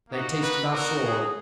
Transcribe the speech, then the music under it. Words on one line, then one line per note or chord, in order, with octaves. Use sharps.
They tasted our swords.
A#3 D#4 F#4
B4
B3 D#4 F#4 A#4
G#4